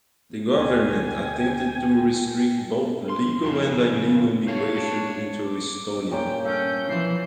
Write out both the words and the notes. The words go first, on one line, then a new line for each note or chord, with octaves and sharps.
The government attempted to restrict both legal and illegal migration into Estonia.
D2 D3 G5 G#5
C6
F2 C#3
A3 C#5 F5
D4
D6
G2 A#2 A#3 C#4 G5
C#4 A4 F5 G6
B1 E3 F3 C7